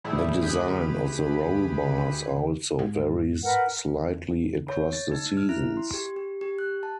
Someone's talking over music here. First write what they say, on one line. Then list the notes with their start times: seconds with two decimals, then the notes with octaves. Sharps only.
The design of the roll-bars also varies slightly across the seasons.
0.04 A2 E3 G3 A3 E4 G#4
0.41 D2 G4 G#4 B4 B5
2.79 G#2
3.43 A#4 B4 F#5
4.68 C#5
4.93 A6
5.12 D#4
5.37 F6
5.49 E4
5.77 C6
5.94 G4
6.16 G4
6.41 G4
6.59 F#6
6.83 A5